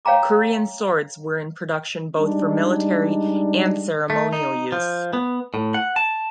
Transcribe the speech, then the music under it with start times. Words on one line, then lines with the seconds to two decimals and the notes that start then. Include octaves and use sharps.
Korean swords were in production both for military and ceremonial use.
0.05 C#5 F5 G5 A#5 D6
2.18 G3 G#3 D4 D#4
4.10 A3
4.33 D#4
4.72 F3
5.13 B3
5.54 A2
5.74 F#5
5.96 A5